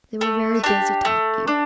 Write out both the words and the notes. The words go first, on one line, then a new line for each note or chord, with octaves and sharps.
They were very busy talking.
A3
D4 G4
A3
D4